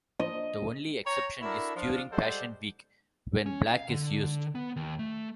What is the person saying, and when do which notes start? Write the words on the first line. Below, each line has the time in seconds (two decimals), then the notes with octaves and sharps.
The only exception is during Passion Week when black is used.
0.20 D#5
1.06 C#5 G5 A#5
1.42 D4 E4 F#4 A4 A#4
1.76 F3 D4 F5
2.12 G3 G#3 A4 C5 D5 F#5
3.46 C#4
3.67 F5
3.89 D3
4.55 B3
4.76 D#2
4.99 A3